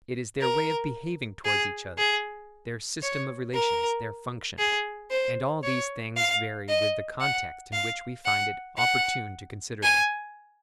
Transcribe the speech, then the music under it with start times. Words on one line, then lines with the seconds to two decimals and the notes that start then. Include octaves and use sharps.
It is their way of behaving towards each other, their system of relations, their function; and all these things vary with the context in which we find it opportune to consider them.
0.40 A#4
1.45 G#4
1.98 G#4
3.03 C#5
3.54 A#4
4.59 G#4
5.11 C5
5.64 C#5
6.17 F5
6.69 D#5
7.21 F#5
7.73 F5
8.25 F#5
8.78 F#5
9.83 G#5